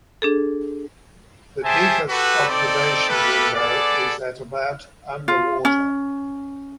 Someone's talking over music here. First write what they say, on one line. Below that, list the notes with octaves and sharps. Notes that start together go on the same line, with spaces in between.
The deepest observation window is at about underwater.
D4 G#4 A4
G4 G#4 C5 E5 G#5 A5
F#4 G4 A4 B4
C4 D#4 A4 D5
A3 A#3 G4 A4 B4
B3 G#4 A4 D5
F4
C#4